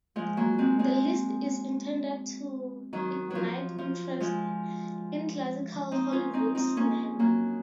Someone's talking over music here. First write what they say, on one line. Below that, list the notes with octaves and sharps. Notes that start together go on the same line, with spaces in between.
The list is intended to ignite interest in classical Hollywood cinema.
F3 G#3
F#3 A#3
G#3 C4
G#3 C4
D#3 F#3
F3 F#3
F3
F3 G#3
C4 D#4
C#4 F4
C4 D#4
C4 D#4
A#3 C#4
F#3 A#3